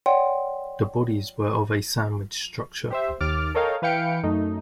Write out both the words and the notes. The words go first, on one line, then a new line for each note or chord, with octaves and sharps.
The bodies were of a sandwich structure.
C#5 D5 F#5 G5 C6
G4 C5 E5
D#2 D6 F6 A6
A4 A#4 C#5 D#5 F5 G5
E3 B4 F5 G5 C#7 D7
F#2 A3 D#4